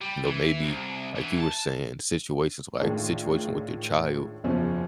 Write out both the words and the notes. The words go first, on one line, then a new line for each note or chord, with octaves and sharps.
you know, maybe, like you were saying, situations like situation with your child,
G3
E3
C2
B2 E3
A5
A2 D#3 G#3 D4 F4
F#1 E2 B2 F3 C#4